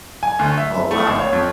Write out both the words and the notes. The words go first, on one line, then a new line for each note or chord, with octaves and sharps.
Oh, wow.
G#5
D2
E5
A3
G#1
C#5
F2